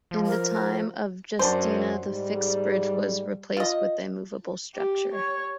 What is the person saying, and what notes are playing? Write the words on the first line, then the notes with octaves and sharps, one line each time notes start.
In the time of Justinian the fixed bridge was replaced with a movable structure.
F3
A#4
F#2 F#3 D4 C5
G#2 G3
F4 D#5
G4
C#5